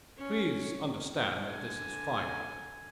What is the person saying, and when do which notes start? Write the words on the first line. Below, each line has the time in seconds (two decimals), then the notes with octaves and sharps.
Please understand that this is final.
0.17 C#4
1.47 D3 G#5